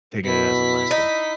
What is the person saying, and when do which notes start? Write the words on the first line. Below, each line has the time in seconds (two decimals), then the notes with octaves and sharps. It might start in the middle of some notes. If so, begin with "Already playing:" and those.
taking it as a lesson.
0.25 B2 E4 B6
0.91 D#4